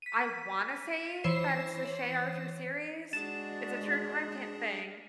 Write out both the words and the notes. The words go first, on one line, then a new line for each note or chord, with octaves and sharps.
I wanna say that it's the Shaye Archer series. It's a true crime tam thing,
B6 D#7
E3 C5 C#5 C7 E7
G#3 D4 F#4 G#4 D5 A6 E7